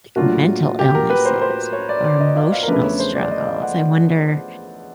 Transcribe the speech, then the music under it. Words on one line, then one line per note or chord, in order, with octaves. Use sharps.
like, mental illnesses, or emotional struggles? I wonder,
A2 F#3 A#3 D4 F4 F#4
G4
A#4
B4
C5
C5
C#5
D5
D5
D#5
F5
F5
A#4
E2 C#3 F3 A3 D4 B4
C#5
C5
D5
D#5
F5
F#5